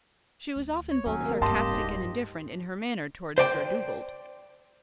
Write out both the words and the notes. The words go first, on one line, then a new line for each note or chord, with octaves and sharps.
She was often both sarcastic and indifferent in her manner toward Sir Dugald.
D2
C#5
D#2 F#3 C#4
C3 A#3
D1 G2 G4 D#5 F5 A5 C6
G#2 D4
C5 D5 G5